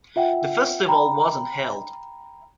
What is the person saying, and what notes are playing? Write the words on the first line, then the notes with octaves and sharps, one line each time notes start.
The festival wasn't held.
F4 E5 F#5 G5
G5 A#5 B5